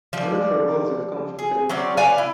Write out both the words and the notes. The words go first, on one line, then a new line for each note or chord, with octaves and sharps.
None of her goals have come from penalty kicks.
F3 G3 D5
G#4
F#3 C4 C#4 D5
B4 D5 F5 G#5
E4